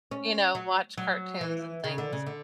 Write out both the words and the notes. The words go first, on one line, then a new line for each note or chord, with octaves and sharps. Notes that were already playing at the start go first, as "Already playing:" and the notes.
you know, watch cartoons and things,
C#4
F#3
F#3
E3
C#3
D3
C#3
D3